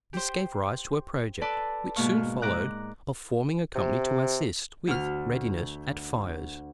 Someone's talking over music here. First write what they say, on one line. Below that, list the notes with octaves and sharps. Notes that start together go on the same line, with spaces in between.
This gave rise to a project, which soon followed, of forming a company to assist, with readiness, at fires.
G4 C5
A4 B4 D5 A5
G#2 B2 A#3 F5 C#6
G#2 A#5 D6 F#6
C3
D2 F6